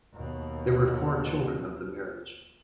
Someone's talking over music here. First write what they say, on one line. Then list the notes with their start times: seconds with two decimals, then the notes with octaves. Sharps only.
There were four children of the marriage.
0.14 D#2 B2